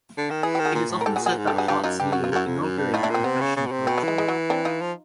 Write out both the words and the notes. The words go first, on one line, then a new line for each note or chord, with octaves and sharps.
It is often said that "Heart's Needle" inaugurated confessional poetry.
D3
D#3
E3 G#4
D#3 G4
F#4 G#4
A#2
A2
A#4
G#2 G4 A4
A2 F#4 G#4
A#2
F#4 G#4
G#2
G4 A4
G2
F#4 G#4
G2 F4 G4
F#2 D#4 F4
G2 G4
F#2 F#4
F4
F#2 E4 F#4
F2
F#2
G2
A2 D#4 F4
D4 E4
A#2 C4
C3 B3
C#3
C#3
B2
C3
B2 C4
F#3
E3 G#3
G#3
F#3
C4 D4
D#4 F4
F3